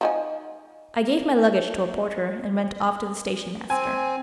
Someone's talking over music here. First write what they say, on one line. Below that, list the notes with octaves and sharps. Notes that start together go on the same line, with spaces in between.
I gave my luggage to a porter and went off to the station-master.
F3 D#4 G#5
C4 G#5